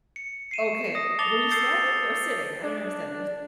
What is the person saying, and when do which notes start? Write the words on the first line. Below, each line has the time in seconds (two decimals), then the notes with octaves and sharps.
okay, w were you standing or sitting? I don't understand this.
0.16 C#7
0.51 C7 D#7 E7
0.95 D#6 A#6
1.19 A5 D6 A6 C#7 F7 G7
1.51 D#6 E6 G6 A6 C7 C#7
2.63 D4